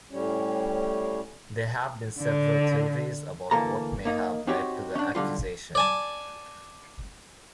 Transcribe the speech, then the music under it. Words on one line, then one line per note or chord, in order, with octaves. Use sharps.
There have been several theories about what may have led to the accusation.
A2 G3 C#4
D3
D2 E3 A#3 A4 A#5
A#3 D#4
C4 D#4 F#4 G4 C#5
C#4 D4
B1 D3 G3 F4
D5 G#5 A5